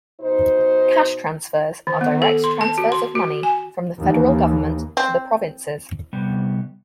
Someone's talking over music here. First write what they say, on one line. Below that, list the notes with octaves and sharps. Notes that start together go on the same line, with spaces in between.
Cash transfers are direct transfers of money from the federal government to the provinces.
B2 D#4 C5
D#3
B3
A4
C6
A5
F#4
C6
F#4
G#5
D#2 E3
C4
C3 G3 B3